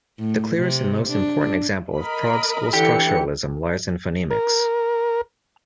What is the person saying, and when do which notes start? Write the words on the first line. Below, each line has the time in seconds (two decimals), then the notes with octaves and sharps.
The clearest and most important example of Prague school structuralism lies in phonemics.
0.18 A2
0.56 C3
1.09 D4
1.97 A#4 D#5 B5
2.73 D3 E3 G4 C#7
4.31 A#4